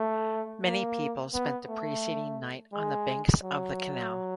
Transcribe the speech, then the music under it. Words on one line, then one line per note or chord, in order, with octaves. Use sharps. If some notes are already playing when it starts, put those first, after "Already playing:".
Many people spent the preceding night on the banks of the canal.
Already playing: A3
A#3
B3
A3
G#3
F#3